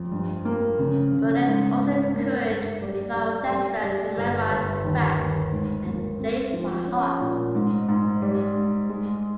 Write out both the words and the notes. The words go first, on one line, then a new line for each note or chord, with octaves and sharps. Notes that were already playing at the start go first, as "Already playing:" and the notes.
Burnet also encouraged Gloucester to memorise facts and dates by heart.
Already playing: F2
G2
A#3
C#3
C#3
G#2
G#2
A#3
G2
G3
G3
G3
G3
G1
G1
D#2
D#2
G#2
A#3
C4
F3
C#4
A#2
G#2
G#2
G3
G#2
G#3